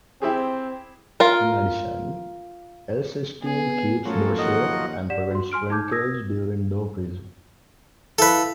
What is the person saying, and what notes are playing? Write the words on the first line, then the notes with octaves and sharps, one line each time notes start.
In addition, L-cysteine keeps dough shape and prevents shrinkage during dough freezing.
C4 E4 G4 G#4
F4 A#4
B3 G#4
F3 F#3 A3 A#3 C#4 A4
D#2 D#5 F#5
G4 D5 F#5 B6 E7
F#4 C6
G#5 C6 F6 D7
D#4 A5 D6 G6 G#6
D#6 E6 G#6 A#6
E4 A4 B4 E5 F5